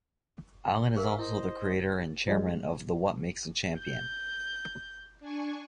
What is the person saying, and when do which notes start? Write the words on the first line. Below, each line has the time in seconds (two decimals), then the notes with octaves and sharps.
Allan is also the Creator and Chairman of the What Makes a Champion?
0.97 G#4 A#4 E5 F5
1.19 E4 C5 D#5
2.28 F3 G3 G#3
3.78 G6
5.20 D4 G#5 C#6